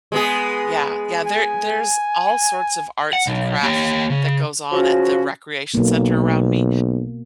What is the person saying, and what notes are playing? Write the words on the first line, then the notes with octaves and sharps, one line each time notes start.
Yeah, yeah, there there's all sorts of arts and crafts that goes on at the recreation center around me,
G#3 B3 G#4
G#5
F#5
B1
A#3 G4
C#3
C#3 F3 C#4 F#4
B1 B2 A#3